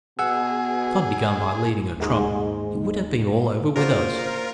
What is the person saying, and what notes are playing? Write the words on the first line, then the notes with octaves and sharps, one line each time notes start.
If I'd begun by leading a trump it would have been all over with us.
B2 G#4 F#5 E6
D#2 G#2 G#3
A#2 F4 F#4 G#4 A#4 C5 D5